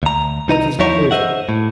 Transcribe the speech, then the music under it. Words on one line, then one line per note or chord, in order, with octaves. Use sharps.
'Look, he's not moving.
D2 A#5
C2 D#4 D#5 A#5
E2 F3 D#4 E4 C#5
C5 D#5 E5 F#5
A2